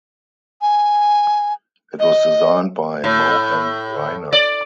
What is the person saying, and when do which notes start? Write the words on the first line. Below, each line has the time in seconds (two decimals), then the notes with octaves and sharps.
It was designed by Mohan Raina.
0.62 G#5
2.00 D#5
3.04 A2
4.33 D5